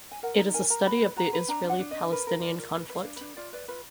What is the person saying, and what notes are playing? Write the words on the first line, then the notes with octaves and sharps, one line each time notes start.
It is a study of the Israeli-Palestinian conflict.
G#5
A#4 F#5
D#4 A#5
A#4 G#5
A#4 A#5
F#4 B5
B4
F#4 A#5
B4
D4 A#5
D4
F#5
D4
D4 D#5
A#4 B4
A#4
F4 D5
A#4
B4
B4
F5
D4
D4 B4
F4 D5
B4 D5
F4 B4